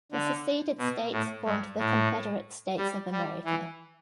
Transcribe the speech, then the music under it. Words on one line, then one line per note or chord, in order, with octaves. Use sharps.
The seceded states formed the Confederate States of America.
D3
B2
A2
G2
A2
G3
G3
E3